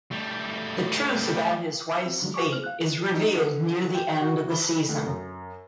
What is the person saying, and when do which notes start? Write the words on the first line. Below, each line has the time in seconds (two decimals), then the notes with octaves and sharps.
The truth about his wife's fate is revealed near the end of the season.
0.12 G3 A3
2.06 C4
2.22 D3 F3 F#3 G#3 D4
2.34 F#4 G#5 C#6 D6
2.49 C#3 G#4 C5 F6
2.64 F5 F#6
3.14 D#4
3.36 D3
3.95 G5
4.21 F#4
4.50 B5
4.89 D2
5.06 F#2